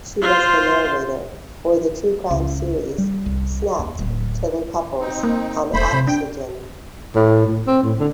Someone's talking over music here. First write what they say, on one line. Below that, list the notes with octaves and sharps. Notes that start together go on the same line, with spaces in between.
She was the narrator for the true crime series "Snapped: Killer Couples" on Oxygen.
F4 C5
C#2
G3
C2
D#2
D1
C4 D#4
A#3
E1 A3 C5 B5
C3
D4 G5
A2
A2
C4
A2
D3